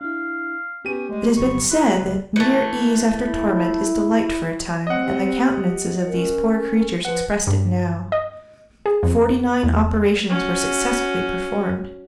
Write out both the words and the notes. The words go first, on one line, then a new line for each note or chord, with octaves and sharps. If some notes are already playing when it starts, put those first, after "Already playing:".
It has been said that mere ease after torment is delight for a time; and the countenances of these poor creatures expressed it now. Forty-nine operations were successfully performed.
D4 E4 F5
B3 C#4 G4 B4 D#7
G#3 A3 D5
F2 C#3 F#3 B3 C#6
E4 B4 C6
C#2 C3
E3 A3
E4
C4 C#5 D#5 F#5
G4
C#4 A#4
F3 B4 F#5
G2
D#5
G#4
F2
E2
C#4 F#4